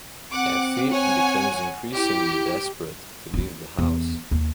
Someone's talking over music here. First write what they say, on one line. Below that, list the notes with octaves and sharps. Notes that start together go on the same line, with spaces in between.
Effie becomes increasingly desperate to leave the house.
C4 F#5 D6
C#5 F#5 G#5
E4 G4
D#4 E4
E2
D#2